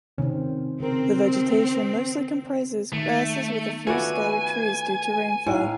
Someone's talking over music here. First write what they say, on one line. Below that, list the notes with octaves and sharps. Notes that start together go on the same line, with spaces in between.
The vegetation mostly comprises grasses with a few scattered trees due to the rainfall.
C3 D#3 C4 C#4
C#3 C4 A#4
D#3 A3
A3 F4 F#4 A4 B4 D5 G#5
A2 D#4 F5